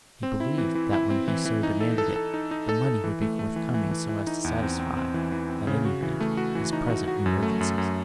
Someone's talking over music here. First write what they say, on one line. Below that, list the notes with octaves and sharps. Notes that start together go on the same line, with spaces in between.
He believed that when he so demanded it, the money would be forthcoming so as to satisfy, at any rate, his present emergencies.
C4
E4
E3
E3
E4
C4
E3
E3
D#4
A4
A4
A4
D#4
D#4
A4
A4
E3
A3
A3
E3
E3
E3
E3
D#4
E2
C4
C4
C4
E3
E3
C4
C#3
F#4
E3
A3
F#4
E3
D#4
F#4
F#4
F#2
A3
F#2
F#2